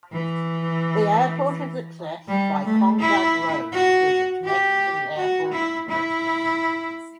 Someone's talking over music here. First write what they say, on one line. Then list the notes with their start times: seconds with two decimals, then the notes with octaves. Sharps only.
The airport is accessed by Konggang Road, which connects to the Airport Expressway.
0.12 E3
2.28 G3
2.64 A3
3.00 E4
3.72 F#4
4.44 G4
5.16 F#4
5.52 E4
5.88 E4